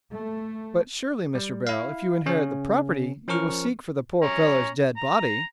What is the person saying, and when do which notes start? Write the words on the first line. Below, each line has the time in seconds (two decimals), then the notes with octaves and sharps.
"But surely, Mr. Beryl, if you inherit the property, you will seek for the poor fellow's dead body?"
0.12 A3
1.35 G3
1.67 E4 F5
2.26 C#3 C#4
3.28 F3 C#4 A#4 C#6 F6
4.22 C#4 A#5
4.97 A#5